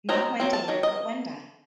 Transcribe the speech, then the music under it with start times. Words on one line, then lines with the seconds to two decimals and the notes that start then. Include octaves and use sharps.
Not Wendy, but Wenda.
0.09 F#3 C4 D#4 A#5
0.40 F#3 C4
0.53 A5
0.68 D#3 F#3
0.83 D#5